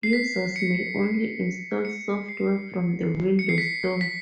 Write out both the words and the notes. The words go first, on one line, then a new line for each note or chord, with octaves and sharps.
Users may only install software from the Windows Store.
C7
B6
C#7
C#7
C7
C#7
C7
B6
B6